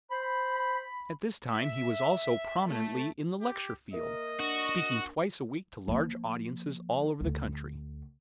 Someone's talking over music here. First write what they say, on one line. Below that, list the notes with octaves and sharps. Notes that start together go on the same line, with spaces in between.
At this time he was also prominently in the lecture-field, speaking twice a week to large audiences all over the country.
C5 B5
E5
A3
G4
A#3 A#4 D#5 E5
D4 F#4
F3 A#3
D2 D3